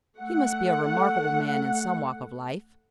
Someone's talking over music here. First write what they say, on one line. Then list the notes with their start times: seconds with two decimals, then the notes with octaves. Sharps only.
He must be a remarkable man in some walk of life.
0.18 A3 F#5